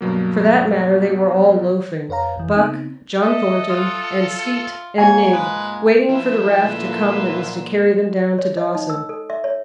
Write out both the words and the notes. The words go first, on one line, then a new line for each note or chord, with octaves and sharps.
For that matter, they were all loafing,--Buck, John Thornton, and Skeet and Nig,--waiting for the raft to come that was to carry them down to Dawson.
G2 B2 F#3 A#3
F2 B4 C#5 F5 A#5
G#1 F2 E3
C#3 B3 C4 D#4
A4 D#5 E5
F4 D#6 F6 F#6
G#2 A#3 F4 C#5 G#5
G#3 B4
F3 E4 B4 C6 E6
A#2 D3 A#3
C#5
D#5
D#4
E6
A4
E5
C#5